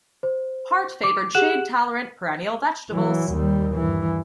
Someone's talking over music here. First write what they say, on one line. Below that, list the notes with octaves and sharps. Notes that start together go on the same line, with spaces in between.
Hart favoured shade tolerant perennial vegetables.
C5
D6
G4 G#4 F#5 F#6 E7 F#7
E3 F#3
D#2 G3
G2 E3